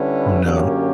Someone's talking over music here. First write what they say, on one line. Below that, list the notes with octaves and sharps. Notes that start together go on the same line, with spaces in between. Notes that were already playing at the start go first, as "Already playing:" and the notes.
Oh, no.
Already playing: D3 G3 C#4 E4 B4
F#2 D3 A#3 C#4 G4